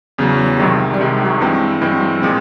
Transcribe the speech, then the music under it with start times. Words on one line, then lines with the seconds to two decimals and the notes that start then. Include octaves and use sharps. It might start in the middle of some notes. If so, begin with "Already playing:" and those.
Yeah, oh, gosh, yeah.
0.18 E2 C#3 F#3
0.60 C2 C3 D#3 G#3
1.00 C2 C3 D#3 G#3
1.40 G2 E3 G#3 C4
1.81 G2 E3 G#3 C4
2.21 A#2 F3 G#3 C4